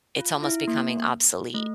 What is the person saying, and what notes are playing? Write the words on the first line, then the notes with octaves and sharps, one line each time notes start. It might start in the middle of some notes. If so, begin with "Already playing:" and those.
it's almost becoming obsolete.
F4
E4
A#3
A3